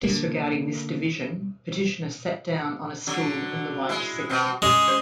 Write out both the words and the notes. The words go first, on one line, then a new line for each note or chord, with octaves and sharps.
Disregarding this division, petitioner sat down on a stool in the white section.
D3 A#3
D3 F#3
G#3 E4
B2 C4
G#3 C#4
C5